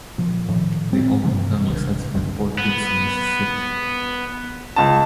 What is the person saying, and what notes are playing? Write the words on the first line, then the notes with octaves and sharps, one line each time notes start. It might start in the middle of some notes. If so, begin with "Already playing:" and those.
The Ullman family settled in Port Gibson, Mississippi.
A#2 F3
A2 D#3 F3
A2 C4
G2 C3 E3 A3
A#1 C#3
F1 C#2 A2 D3
B3
C#2 A5